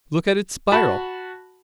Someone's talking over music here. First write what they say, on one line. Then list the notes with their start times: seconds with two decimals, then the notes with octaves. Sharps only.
"Look at its spiral!"
0.72 F#4 A5 B5